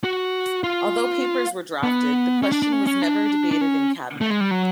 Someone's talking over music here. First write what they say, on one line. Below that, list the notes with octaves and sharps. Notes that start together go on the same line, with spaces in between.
Although papers were drafted, the question was never debated in Cabinet.
F#4
F4
B3
C#4
D4
D4
C#4
C#4
D4
D4
C#4
A3
G#3
G3
F#3